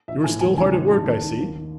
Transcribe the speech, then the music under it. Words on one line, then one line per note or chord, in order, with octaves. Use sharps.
"You are still hard at work, I see?"
A#1 E5
A2 E3 G#5
E1 G#5
E2 C#3 G#5
A1 G#5
G2 D#3 A5
D#2 A5
D#3
D#2
D#3